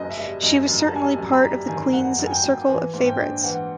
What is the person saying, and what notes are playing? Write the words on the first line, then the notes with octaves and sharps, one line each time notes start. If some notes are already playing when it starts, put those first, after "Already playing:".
She was certainly part of the Queen's circle of favorites.
Already playing: F#1 F#2 D#5
E5
G3 D#5
F#2 D#5
F#2
A#5
A5
G3 G#5
A5
F#2
B5
G3 A#5
D#3 G#5
F#2 F#5
F#2
G#5
G5
F#2
E3 G#5
G#2
G5
A#1
E3 F#5